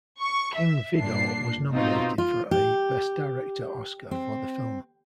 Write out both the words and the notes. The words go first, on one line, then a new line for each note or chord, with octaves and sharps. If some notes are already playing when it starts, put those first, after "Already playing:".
King Vidor was nominated for a Best Director Oscar for the film.
C#6
E5
G2 A#2 D4 C7
B2 C4 D#4 F4
F4
G4
C4